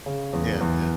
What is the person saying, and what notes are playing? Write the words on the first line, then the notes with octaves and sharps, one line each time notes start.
Yeah, yeah.
C#3
E2
E2